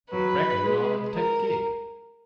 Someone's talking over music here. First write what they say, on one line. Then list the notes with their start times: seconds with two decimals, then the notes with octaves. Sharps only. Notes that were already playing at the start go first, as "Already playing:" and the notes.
And I reckon I'll have to take the kid.
0.12 F#3 B4
0.63 G#3
1.13 A#4